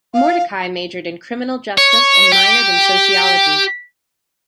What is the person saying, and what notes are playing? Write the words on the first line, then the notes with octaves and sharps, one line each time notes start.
Mordecai majored in criminal justice and minored in sociology.
F5
C#5
G4